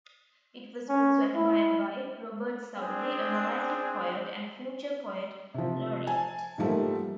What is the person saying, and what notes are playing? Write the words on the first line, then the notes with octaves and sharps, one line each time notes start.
It was also admired by Robert Southey, a Romantic poet and future poet laureate.
C#4
E4
C4 D4 G#4
C3 F3
G#5 A5
G#2 F3 G3 A3 A#3